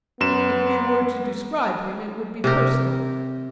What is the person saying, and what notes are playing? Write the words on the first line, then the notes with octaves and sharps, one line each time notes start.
If we were to describe him it would be personal.
F#2 B3 E7
C3 G4 A#4